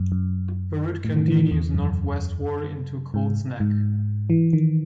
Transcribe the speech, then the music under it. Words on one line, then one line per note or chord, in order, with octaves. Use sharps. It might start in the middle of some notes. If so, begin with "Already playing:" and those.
The route continues northwestward into Colts Neck.
Already playing: F#2
F#2
A2
D#3
E3
D#3
E2
F#2
G#2
G#2
E3
D#3